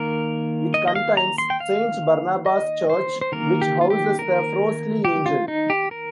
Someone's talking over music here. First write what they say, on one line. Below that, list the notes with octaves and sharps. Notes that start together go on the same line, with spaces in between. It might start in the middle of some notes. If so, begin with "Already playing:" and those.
It contains Saint Barnabas' Church, which houses the Frostley Angel.
Already playing: D#3 A#3 A#4
D#5
D#5
F5
A#5
C6
G5
F5
D#5
C5
C5
D#3 A#3 A#4
G4
F4
G4
A#4
G4
F4
D#4
G4
A#4